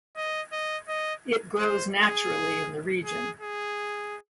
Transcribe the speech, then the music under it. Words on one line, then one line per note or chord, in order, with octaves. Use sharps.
It grows naturally in the region.
D#5
D#5
D#5
C5
G#4
G#4
G#4